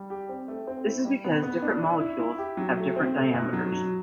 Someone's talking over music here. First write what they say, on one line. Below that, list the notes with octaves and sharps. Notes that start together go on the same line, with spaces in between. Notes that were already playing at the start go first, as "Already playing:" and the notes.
This is because different molecules have different diameters.
Already playing: G3
G4
C4
A3
C4
E4
G3
B3
B3
D4
E4
E4
E4
G4
F#3
A3
C4
A3
B2
F#3
F#3